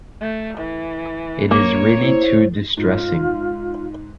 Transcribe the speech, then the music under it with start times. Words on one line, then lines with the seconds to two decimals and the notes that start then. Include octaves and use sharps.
It is really too distressing.
0.21 A3
0.58 E3
1.51 A#3 C#5
2.02 E4 C5
2.77 G#2 F4